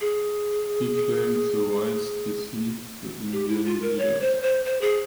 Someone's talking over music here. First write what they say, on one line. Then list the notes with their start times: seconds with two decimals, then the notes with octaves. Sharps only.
He claimed the whites deceived the Indian leaders.
0.01 G#4
3.32 G4
3.48 E4
3.66 F4
3.82 A#4
3.99 C#5
4.21 C5
4.43 C5
4.65 C5
4.81 G#4